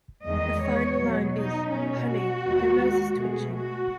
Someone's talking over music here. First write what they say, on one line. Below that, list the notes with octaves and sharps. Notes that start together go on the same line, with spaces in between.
Her final line is "Honey, your nose is twitching".
E2 D#3 G#3 D#5
C#5
B2 F#3 B3
D#4
B2 A3 C#4
F#4
D#2 D#3 G#3 B3
B2 A3 G#4
F#4